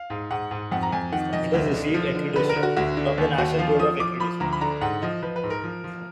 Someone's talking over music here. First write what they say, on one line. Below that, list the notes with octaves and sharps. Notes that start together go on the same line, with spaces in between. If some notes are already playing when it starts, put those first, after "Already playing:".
It has received accreditation from the National Board of Accreditation.
Already playing: F5
G#2
G#2 F#5
G#2
F2 F#5
A#5
F2 G#5
D#3 F#5
F2 D#5
D2
D3
F3
D3
D3 B4
A#4
D3
F#4
D2 F#4
D3
D#2
D#2 F#4
F3 F5
F3 D#6
F3 D6
F3 B5
D2 A#5
B5
D3 A#5
G#2 F#5
F3 D#5
F3 B4
B4
G#2
A#4
F3
F3